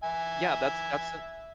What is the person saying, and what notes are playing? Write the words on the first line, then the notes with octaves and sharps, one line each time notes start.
Yeah, that's that's an
E5 G#5